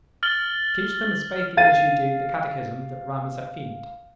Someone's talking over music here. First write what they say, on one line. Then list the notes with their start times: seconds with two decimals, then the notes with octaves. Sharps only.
Teach them as faithfully as you do the catechism, that rum is a fiend.
0.23 F6 A6 F#7 G7
1.57 F5 A6 D#7